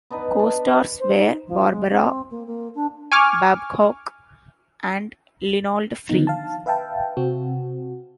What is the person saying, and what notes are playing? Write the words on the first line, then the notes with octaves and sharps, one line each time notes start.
Co-stars were Barbara Babcock and Leonard Frey.
B3 D4 D#4 B4
D4
C5
D#4
F3
G#3
C4
A#3
A#3
D4
G#5 C#6 D6 F6
D3 D#3 F3 B3 D#4
F5 A5
B4 E5 F5 G5 A5
C3 C4 F#4